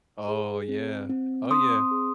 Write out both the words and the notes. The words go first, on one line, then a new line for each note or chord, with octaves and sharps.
Oh, yeah. Oh, yeah.
G#4
C4
C4
C4 C6 D#6
G#4